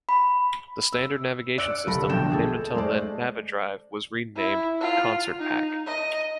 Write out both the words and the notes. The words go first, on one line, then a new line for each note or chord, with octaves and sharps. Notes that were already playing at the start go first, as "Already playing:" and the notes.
The standard navigation system, named until then "NaviDrive", was renamed "Concert Pack".
B5
E6
D5 E6 F#6 C#7 D7
G1 C2 A4 A#4 B5 A#6
A#1 B2 D3 G5 G6 E7
G#4 A4
G#3 A3 C5 D5
E4
F4
D#4
D#5